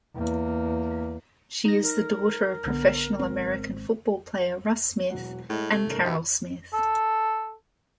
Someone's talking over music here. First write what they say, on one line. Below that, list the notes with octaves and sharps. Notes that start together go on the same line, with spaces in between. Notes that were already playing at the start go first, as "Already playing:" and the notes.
She is the daughter of professional American football player Russ Smith and Carol Smith.
E2 A#3
D#4 A#6
A#4
B1 D3 B3
G#1 G#3 C4
E1 F#3 F#5
A2 G#3 D#5
C3 A3 G#6
C2 G2 A#4
D#2 F#4 D#5 E5
A4